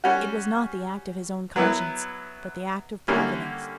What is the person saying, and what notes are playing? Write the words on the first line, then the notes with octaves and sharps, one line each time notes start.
It was not the act of his own conscience, but the act of Providence.
G3 C#4 F#4
F#3 B3 E4 B4
D3 G3 A#3 C#4 E4